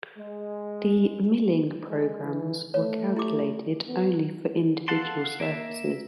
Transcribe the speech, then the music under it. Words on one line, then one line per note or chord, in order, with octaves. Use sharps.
The milling programs were calculated only for individual surfaces.
G#3
G#3
E3
A3 C#5
E4 G4 D6
B3
A4 F5 F#5 A5 C6
A#3 E5